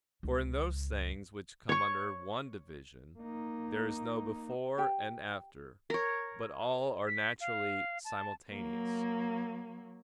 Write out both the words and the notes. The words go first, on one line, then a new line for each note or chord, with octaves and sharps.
For in those things which come under one division, there is no before and after, but all are naturally simultaneous.
C#2
C#5 C#6
A#3 D#4
G4 G5
A#4 C#5
B6
F5
A5
F#3 A#3